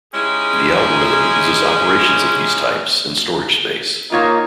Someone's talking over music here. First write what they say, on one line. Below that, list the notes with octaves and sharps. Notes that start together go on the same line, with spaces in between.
The algorithm uses operations of these types, and storage space.
G#2 G#3 C#4 E4 G4 G#4
A#3 D#4 F4 C#5